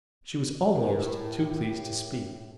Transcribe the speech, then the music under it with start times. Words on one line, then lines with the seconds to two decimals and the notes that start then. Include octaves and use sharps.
She was almost too pleased to speak.
0.75 A2 E4 G4 G#4 A#4